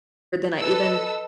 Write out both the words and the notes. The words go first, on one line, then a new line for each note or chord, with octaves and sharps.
Then I even
A4 B4 D#5 E6